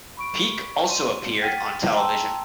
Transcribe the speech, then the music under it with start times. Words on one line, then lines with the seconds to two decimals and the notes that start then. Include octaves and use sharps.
Peek also appeared on television.
0.17 B5 C#6 D7
0.87 D5 C6 D#7
1.41 F#5 G5 F6 A6 B6 D#7
1.94 G5 A5 A#5 C6 E6